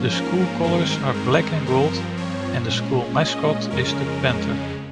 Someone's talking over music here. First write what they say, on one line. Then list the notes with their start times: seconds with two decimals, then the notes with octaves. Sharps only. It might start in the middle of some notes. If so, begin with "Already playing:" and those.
The school colors are black and gold, and the school mascot is the panther.
Already playing: G#2 F3 A#3 C#4
0.12 A#4
0.63 G2 D#3 G#3 C4 A#4
1.14 A#4
1.66 G2 F3 C4 A#4
2.17 C#5
2.69 A#2 G#3 C#4
3.20 D#5
3.71 F2 C#3 G#3 C#4 A#4